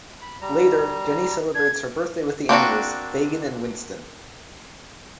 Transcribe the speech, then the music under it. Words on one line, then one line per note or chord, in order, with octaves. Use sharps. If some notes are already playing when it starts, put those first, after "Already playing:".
Later, Jenny celebrates her birthday with the animals, Fagin and Winston.
B5
G3 A#5
D4 G#6
A#3 C4 D4 F#4